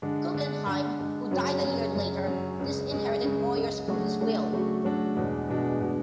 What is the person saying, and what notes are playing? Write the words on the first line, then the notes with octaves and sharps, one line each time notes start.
Guggenheim, who died a year later, disinherited Moyers from his will.
D3 G#3 D4
D3 G#3 D4
D3 G#3 D4
D3 G#3 D4
F#2 C#3 F#3 C#4
F#2 C#3 F#3 C#4
F#2 C#3 F#3 C#4
F#2 C#3 F#3 C#4
C#2 C#3 G#3
C#2 C#3 G#3
C#2 C#3 G#3
C#2 C#3 G#3
C#3 F#3 A3 D4 F#4
C#3 F#3 A3 D4 F#4
C#3 F#3 A3 D4 F#4
C#3 F#3 A3 D4 F#4
E2 B2 G#3 D4
E2 B2 G#3 D4
B2 G#3 D4